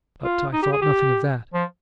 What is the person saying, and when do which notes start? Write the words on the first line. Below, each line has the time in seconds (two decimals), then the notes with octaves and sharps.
But I thought nothing of that.
0.24 F4
0.53 D#4
0.63 G4
0.72 G#4
0.82 G4
1.54 F3